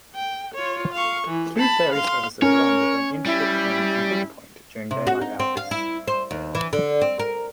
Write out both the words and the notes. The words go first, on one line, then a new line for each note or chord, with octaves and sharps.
Two ferry services run between Inskip Point and Hook Point during daylight hours.
G5
F4 C#5
F5 C#6
E3
A5 B5
F5 C6
C#4 A#4 C#5
G3 E4
C3
F#4
D#4
C4
F5
E4
C5
D#2
E3
D3
C4
A#4